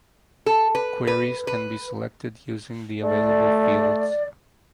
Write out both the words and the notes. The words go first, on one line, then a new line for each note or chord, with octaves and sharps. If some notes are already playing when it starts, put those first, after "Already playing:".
Queries can be selected using the available fields.
A4
B4
B4
B4
A3 D5